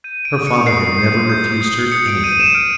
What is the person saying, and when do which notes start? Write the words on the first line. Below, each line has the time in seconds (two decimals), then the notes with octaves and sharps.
Her father had never refused her anything.
0.04 G6 D#7
0.25 D7
0.36 D#6
0.47 C#7
0.67 D#6 C7
0.99 G6
1.29 G6
1.61 D#6
1.92 D#6 C#7
2.08 D7
2.24 G6 D#7
2.39 E7
2.55 F6 D7